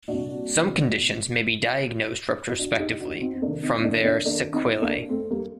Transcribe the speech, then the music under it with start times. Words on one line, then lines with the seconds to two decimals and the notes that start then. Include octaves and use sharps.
Some conditions may be diagnosed retrospectively from their sequelae.
0.08 C2 A#2 D4 F#4
2.59 D4 F#4
2.80 D#4 G4
3.00 D4 F#4
3.15 F#4
3.21 C4 D#4
3.34 C4
3.42 C2 C3 D#3 A#3 D4
3.62 C4 D#4
3.79 C4
3.84 A#3 D4
4.04 A#3 D4
4.25 A#3 D4
4.53 C4 D#4
4.81 A#3 D4
5.09 A3 C4
5.31 G3 A#3